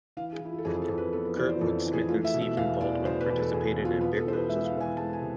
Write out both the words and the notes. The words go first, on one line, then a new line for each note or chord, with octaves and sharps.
Kurtwood Smith and Stephen Baldwin participated in bit roles as well.
E3 F5
G#4
E3 E4
F4
A4
F2 G#4
G#4
A4
F2
B4
B3 A4
B4
E3 D5
C5
F2 A4
E3
G#4
A3 F4
E5
B2
E5
E2 F5
E2 D5
B2 C5
B4
E2
A4
E2 G#4
B2
F4
B3 F4
A4
E3 C5
B4
G#3 E5
F5
E3
G#5
G#3 A5
G#5
C3